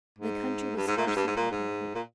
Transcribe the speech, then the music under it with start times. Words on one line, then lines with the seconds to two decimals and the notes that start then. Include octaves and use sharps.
The country was sparsely populated.
0.19 G#2
0.76 G2
0.87 G#2
0.97 A#2
1.06 G#2
1.16 G2
1.27 G#2
1.36 A#2
1.51 G#2
1.94 A#2